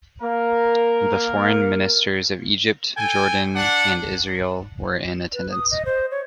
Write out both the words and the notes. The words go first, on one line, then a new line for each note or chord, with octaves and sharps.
The foreign ministers of Egypt, Jordan and Israel were in attendance.
A#3 A#4
A4 G5 G#5
D4 F#5
B4
D#6
D#5
C5
C#5